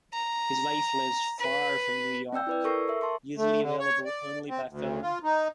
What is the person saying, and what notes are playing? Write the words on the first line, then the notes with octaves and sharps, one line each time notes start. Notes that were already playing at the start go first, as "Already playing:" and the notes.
His wife lives far from New York, usually available only by phone.
A#5
B4
C4 D5 G5 E6 G6
E4 B4 D5
A4 A#4 C#6 E6 A#6 C7
A#4 E5
A5 C6 C#6
A3
D3
C#5
D5
C4
D2
F4
D#4